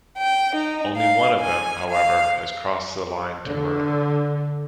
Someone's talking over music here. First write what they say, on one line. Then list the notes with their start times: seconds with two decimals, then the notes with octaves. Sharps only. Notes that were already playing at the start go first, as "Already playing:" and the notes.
Only one of them, however, has crossed the line to murder.
0.17 G5
0.56 D#4
0.96 F5
1.41 G#5
1.90 F5
3.48 D3